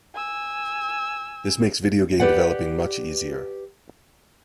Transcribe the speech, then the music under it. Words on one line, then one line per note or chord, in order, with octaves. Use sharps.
This makes video game developing much easier.
G#5 E6
G4 G#4 B4 D5 F#5